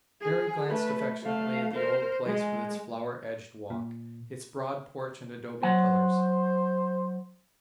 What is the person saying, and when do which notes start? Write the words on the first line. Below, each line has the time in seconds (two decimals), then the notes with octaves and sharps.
Mary glanced affectionately at the old place with its flower-edged walk, its broad porch and adobe pillars.
0.22 G#4
0.68 A3 B4
1.23 A3 F5
1.74 A#4 C5
2.25 G#3
3.70 A#2
5.63 F#3 C5 F#5